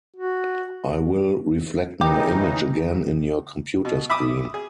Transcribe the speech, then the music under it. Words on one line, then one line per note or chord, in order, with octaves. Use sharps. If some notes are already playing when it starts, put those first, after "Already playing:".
I will reflect my image again in your computer screen.
F#4
C#3 E3 D#4 G4
B2
E5 B5 D6 D#6
G#4